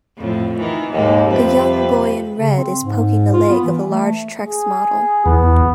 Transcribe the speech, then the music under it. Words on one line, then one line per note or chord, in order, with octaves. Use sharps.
A young boy in red is poking the leg of a large trex model.
F2 A2
D#3 E3
D#2 G#2 A#3
F2 C3 G3 B4
C#3
C4
G#2
F4
B3
E3
A3
G#4
E2 B3